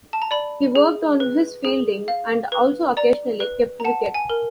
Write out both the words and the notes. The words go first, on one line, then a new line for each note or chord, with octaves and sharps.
He worked on his fielding, and also occasionally kept wicket.
A5
A#5
D5 B5
G#4
B4
G#4
F5
B4
D5 A#5
B4
A#5
F#5 A5
G#5
A#4